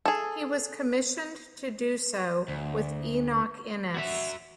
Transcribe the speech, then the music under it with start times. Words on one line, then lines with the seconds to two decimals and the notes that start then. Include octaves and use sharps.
He was commissioned to do so with Enoch Innes.
0.06 G#4 A4
2.48 D2
3.94 F#4 E5